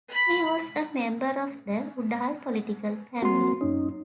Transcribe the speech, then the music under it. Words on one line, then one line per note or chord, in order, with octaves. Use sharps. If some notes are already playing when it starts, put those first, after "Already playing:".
He was a member of the Udall political family.
B5
A#3 C4 F#4 C6
F#2 C#4 D#4